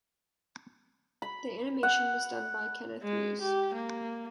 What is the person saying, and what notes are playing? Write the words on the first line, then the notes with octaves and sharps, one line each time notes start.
The animation was done by Kenneth Muse.
B5
F#5
G#3
G4
A#3